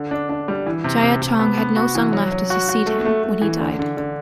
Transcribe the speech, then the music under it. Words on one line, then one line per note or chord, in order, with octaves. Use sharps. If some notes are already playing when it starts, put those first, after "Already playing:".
Jia Chong had no son left to succeed him when he died.
Already playing: D3
D4
D4
G3
E3
C3
C3
C3
B3
B3
F#4
E3
F#3
F#3
F#4
F#4
A3
A3
A3
E3
D3
D3
D3